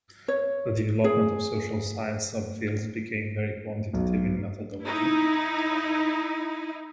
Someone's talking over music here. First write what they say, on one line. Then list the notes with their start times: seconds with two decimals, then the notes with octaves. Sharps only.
The development of social science subfields became very quantitative in methodology.
0.28 C#5
1.04 G#4
3.93 B1
4.83 D#4 E4